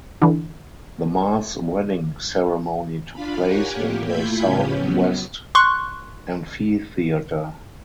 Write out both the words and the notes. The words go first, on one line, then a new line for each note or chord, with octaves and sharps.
The mass wedding ceremony took place in the Southwest Amphitheater.
D3 E3
D4 F4 F5 B5
G4 A#4 C#5 F#5 G#5
A2 A#3 G4
A3 E4 F4 B5 G6 G#6
F2 A2 C#3 B3 C#4 G4
F#3 B3
C6 C#6 F#6